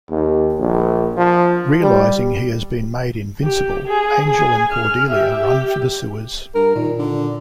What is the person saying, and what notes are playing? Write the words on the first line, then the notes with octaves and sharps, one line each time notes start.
Realising he has been made invincible, Angel and Cordelia run for the sewers.
D#2
A#1
F3
G3
G4
G#4
G#4 G#5
F6
G4 E5
G4
G2 A#4
A#2 D#3
D3